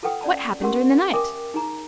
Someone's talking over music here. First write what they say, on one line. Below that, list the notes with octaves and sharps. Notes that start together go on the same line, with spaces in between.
What happened during the night?
F4 A4 B4 F#5 G5 D#6
C#4 D5 A5 B5
C#4 G4 A#4 F#5 C6 E6
A#4 E5 G5 G#5 D6 D#6
D#4 G#4 A#5